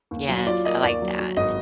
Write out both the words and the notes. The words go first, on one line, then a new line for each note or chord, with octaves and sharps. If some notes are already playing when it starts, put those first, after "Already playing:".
Yes, I like that.
D#2
F#3
F4 D5
A#3 D#5
D#2 D5
F#3
F#3
G#1 D#5